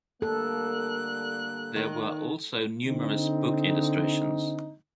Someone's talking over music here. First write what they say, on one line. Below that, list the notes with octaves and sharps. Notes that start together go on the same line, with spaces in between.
There were also numerous book illustrations.
D3 G3 A#3 A4 F#6
D#3
D3 C4 D#4